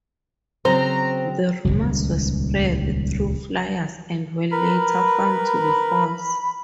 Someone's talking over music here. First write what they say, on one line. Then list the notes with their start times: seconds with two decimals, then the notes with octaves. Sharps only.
The rumors were spread through flyers and were later found to be false.
0.65 C#3 F#3 C4 C5 A#5
1.65 D#1 G#1 C#2
4.52 A#4 B4 B5